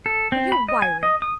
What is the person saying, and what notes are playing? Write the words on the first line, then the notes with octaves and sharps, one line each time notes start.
But you're wiry.
A4
C4
B5
D#5
G#5
D#5
D#6